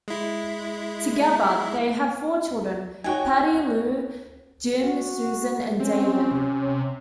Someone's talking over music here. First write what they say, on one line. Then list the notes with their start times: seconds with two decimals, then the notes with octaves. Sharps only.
Together they had four children: Patty Lou, Jim, Susan and David.
0.08 G#3 E4
3.04 D#4 F#4 C#5 G5 G#5
4.81 F#4
5.80 C4 C#4
6.31 C3